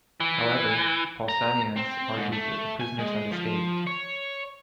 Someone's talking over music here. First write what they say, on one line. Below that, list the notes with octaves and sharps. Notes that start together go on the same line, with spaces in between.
However, Pausanias argued that the prisoners had escaped.
E3
A#5
C4
G#2
A3
G#5
G#3
F3
C#5